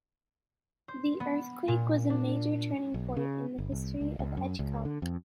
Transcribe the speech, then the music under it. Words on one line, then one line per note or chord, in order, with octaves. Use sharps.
The earthquake was a major turning point in the history of Edgecumbe.
C5
B3
A#2
D4
B1
C#3
G1
C2
C#2
C#2
F#2
C#2
D3
F2